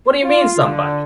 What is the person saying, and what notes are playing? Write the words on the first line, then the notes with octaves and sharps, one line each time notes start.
What do you mean, somebody?
F4
D3